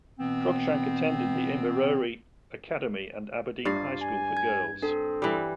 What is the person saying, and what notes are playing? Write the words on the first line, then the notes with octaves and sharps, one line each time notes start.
Cruickshank attended the Inverurie Academy and Aberdeen High School for Girls.
B2 E3 B3 C4
G2 F4 D5 A6 C7
G#5
G#6
C4 D4 A4
E3 G3